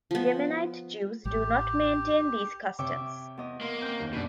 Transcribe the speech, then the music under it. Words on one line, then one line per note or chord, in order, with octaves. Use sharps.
Yemenite Jews do not maintain these customs.
F3 B3
A1 G4
C3 C#5 E5 G5 C#6 D6
E2 D#5
A#3 C6
C4 C#4 G6
D#2
F#1 G2 B2 B4 D5